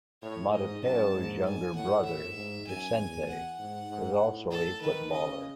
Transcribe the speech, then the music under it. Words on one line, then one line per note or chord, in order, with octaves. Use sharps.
Matateu's younger brother, Vicente, was also a footballer.
A2 C#5
G#2 D#5
F#2 A5
G#2
G#5
A2 F#5
E5
G#2
F#2 G#5
E2
F#5
G#2
G#2
A2
A4
D#3 B4
C#3 D#5